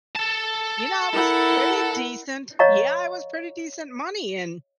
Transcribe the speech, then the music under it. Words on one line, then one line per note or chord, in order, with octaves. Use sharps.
you know, I was pretty decent Yeah, it was pretty decent money and
A4 A5
E4 A#4 F#5
C#5 D#5 F5 A#5 C#6